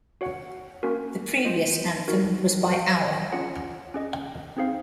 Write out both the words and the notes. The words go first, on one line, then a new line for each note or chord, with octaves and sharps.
The previous anthem was by Aur.
F#4 C#5 F#5
A#3 C#4 F#4 A#4
F4 C5 D#5
D#4 F#4 A#4
F#4 C5 F5
C#4 F4 G#4 C#5 F#5
C#4 G#4 D#5
C4 D#4 G#4 C5 F5